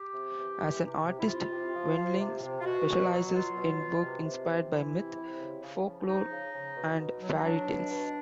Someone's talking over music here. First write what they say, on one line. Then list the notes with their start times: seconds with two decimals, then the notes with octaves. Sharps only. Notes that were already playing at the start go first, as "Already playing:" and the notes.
As an artist, Windling specializes in work inspired by myth, folklore, and fairy tales.
Already playing: G4
0.13 C3
0.36 E3
0.59 E3
0.82 C3
1.05 C3
1.19 E4
1.27 C3 F4
1.51 C3
1.73 F3
1.96 F3
2.18 C3
2.41 C3
2.60 F4
2.64 B2 F#4
2.87 B2
3.10 F#3
3.33 F#3 F4
3.56 B2
3.79 B2
4.02 C3
4.24 C3
4.48 E3
4.70 E3 E4
4.93 C3
5.15 C3
5.38 C#3
5.62 C#3
5.84 F3
6.07 F3 D#4
6.30 C#3
6.53 C#3
6.76 B2
6.99 B2
7.21 F#3
7.39 D#4
7.44 F#3 D4
7.67 B2
7.90 B2